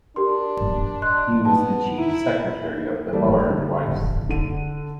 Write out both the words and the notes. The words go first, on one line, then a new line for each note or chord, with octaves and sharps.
He was the chief secretary of Bihar twice.
D4 G4 A#4 C6
D#5 C6 F#6
B3 A5
E4 A#5
E3 G3 A3 A#3 D5
D3 G3
D3 A4 F#5 D#7